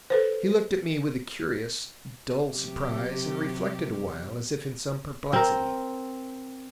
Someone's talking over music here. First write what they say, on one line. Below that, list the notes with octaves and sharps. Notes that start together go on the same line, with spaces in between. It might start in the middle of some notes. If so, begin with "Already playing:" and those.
He looked at me with a curious, dull surprise, and reflected awhile as if in some perplexity.
A4 B4 C5
C3 F#3 G4
C4 A#4